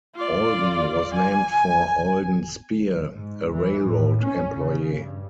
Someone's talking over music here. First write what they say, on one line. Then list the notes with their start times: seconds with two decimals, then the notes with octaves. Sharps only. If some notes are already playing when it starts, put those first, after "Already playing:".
Alden was named for Alden Speare, a railroad employee.
0.16 F4 D5
1.15 G#5
3.13 G#2
3.52 E3
3.86 A2
4.23 C#4
4.58 C#3
4.96 G2